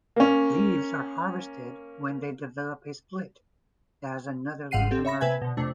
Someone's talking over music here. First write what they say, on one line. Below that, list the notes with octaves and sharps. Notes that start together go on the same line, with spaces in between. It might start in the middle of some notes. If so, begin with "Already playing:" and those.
Leaves are harvested when they develop a "split" as another leaf emerges.
A#3 C#4
G1 G#2 F5 F#5 C7 D#7
C4 G4 A4
C#5 E5 B5 A#6
C3 B4 E5 G#5 G#6
B2 D3
F2 C3 A3 D4